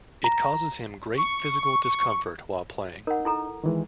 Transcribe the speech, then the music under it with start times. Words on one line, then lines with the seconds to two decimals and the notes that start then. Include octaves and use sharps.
It causes him great physical discomfort while playing.
0.24 A#5
1.16 C#6
3.07 D#4 A#4 F#5
3.25 E4 A4 A#5
3.64 D#3 E3 G#3